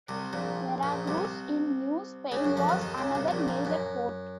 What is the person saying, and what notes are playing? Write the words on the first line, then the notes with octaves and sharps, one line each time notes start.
Veracruz in New Spain was another major port.
C2 C3
A#1 A#2
A#1 A#2
C2 C3
C#2 C#3
F#2
F2 F3
D#2 D#3
D#2 D#3
C#2 C#3
C2 C3
A#1 A#2
A#1 A#2
F#2